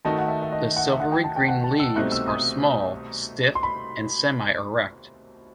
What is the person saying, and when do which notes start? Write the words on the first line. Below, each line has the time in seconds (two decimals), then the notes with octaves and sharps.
The silvery-green leaves are small, stiff and semi-erect.
0.05 D#3 A3 D#4 F#4 A5
0.18 F#5
0.28 E5
0.42 E5
0.52 D#5
0.76 F#5
0.93 E5
1.00 F#5
1.12 G5
1.24 A5
1.36 G5
1.48 F#5
1.64 A5
1.80 E6
1.96 C2 B2 A3 C4 D#4 F#6
2.12 E6
2.28 D#6
3.55 C6
3.63 B5